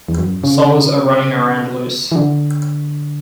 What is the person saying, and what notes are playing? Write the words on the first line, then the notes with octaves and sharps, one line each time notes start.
Souls are running around loose.
E2
F#2
C#3
E3
D3